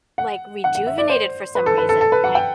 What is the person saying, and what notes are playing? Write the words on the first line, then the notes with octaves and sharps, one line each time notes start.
Like rejuvenated for some reason. Like,
F#5
F#5
F#5
E5
D5
C5
B4
A4
B4
A4
A4
B4
F#5
G5